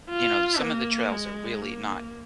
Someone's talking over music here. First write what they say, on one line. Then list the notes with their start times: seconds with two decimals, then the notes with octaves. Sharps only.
you know, some of the trails are really not,
0.10 F4
0.61 A#3
1.12 G#3
1.61 A#3